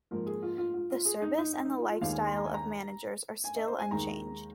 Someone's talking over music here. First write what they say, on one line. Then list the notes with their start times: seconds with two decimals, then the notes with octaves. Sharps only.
The service and the lifestyle of managers are still unchanged.
0.11 G#2 F3 A#3 A#4
0.26 G#4
0.43 F4
0.58 F4
0.74 F4
0.91 F4
1.05 G#4
1.22 D#4
1.38 D#4
1.53 D#4
1.65 D#4
1.78 F4
1.89 F4
2.01 D#2 D#3 G#3 F5
2.12 G#5
2.24 C6
2.36 A#5
2.46 G#5
2.54 A#5
3.44 G#5
3.56 D#5
3.67 C5
3.79 G#5
3.91 D#2 D#3 G#3 A#5